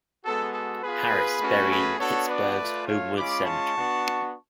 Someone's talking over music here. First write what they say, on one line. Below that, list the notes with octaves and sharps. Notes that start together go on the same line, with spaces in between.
Harris is buried in Pittsburgh's Homewood Cemetery.
G#3 B3 F#4 A4
A4
B3 F4 G#4 B4
A3 C#4 F#4
G#4 B4
B3 D4 F#4 A4 C#5
B4 D5
A3 F4
C#5 F5
G#3 C#4 F4 B5 D6
A5 C#6
B3 D4 F#4